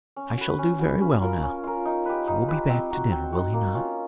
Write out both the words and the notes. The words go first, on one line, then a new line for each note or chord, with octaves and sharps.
"I shall do very well now. He will be back to dinner, will he not?"
C#4
F#4 B4
C#4
F#4 B4
C#4
F4 A#4
C#4
F4 A#4
D#4
G4 B4
D#4
G4 B4
C4
D#4 F#4
C4
D#4 F#4
A#3
C#4 F4